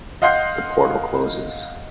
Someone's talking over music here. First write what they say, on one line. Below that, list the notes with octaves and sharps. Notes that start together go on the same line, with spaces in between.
The portal closes.
D#5 F5 F#5 C6 G6 C7